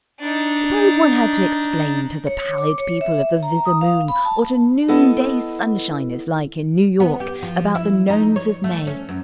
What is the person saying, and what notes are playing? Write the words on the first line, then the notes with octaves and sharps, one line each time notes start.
Suppose one had to explain to the pallid people of the thither moon what a noonday sunshine is like in New York about the Nones of May?
D4 D#4
C#5
D6
C#5
E5
A#5
D#6
F5
B5
A5
B3 E4 A4 B4 D#5
B3
G4
F3
E4
D#4
C#5
A3
C#4
F#2